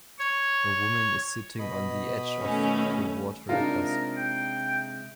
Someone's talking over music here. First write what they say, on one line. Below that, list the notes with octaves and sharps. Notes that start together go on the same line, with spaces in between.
A woman is sitting on the edge of the water at dusk.
C#5
B2 D#5 B5
D#2 A3 C#4
C3 G#3 D4 D#4 F4 A#4
G5